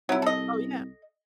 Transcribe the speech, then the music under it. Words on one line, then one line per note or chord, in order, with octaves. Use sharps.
Oh, yeah.
C2 F#3 E4
A4 D#5